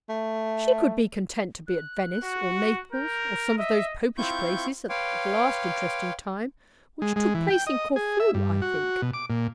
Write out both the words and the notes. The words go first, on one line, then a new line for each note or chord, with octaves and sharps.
'She could be content to be at Venice or Naples, or some of those Popish places, at the last "interesting time," which took place in Corfu, I think.
A3
F#6
F#4
A#4 G6
D#5 E5
C4 E4 F4 C#6 G6
B4 C#5 F5 G5 C6 D6
G#3
G#3
E3
G5
D#5
G#4
E5
G2
F#4
B2
D6
A#2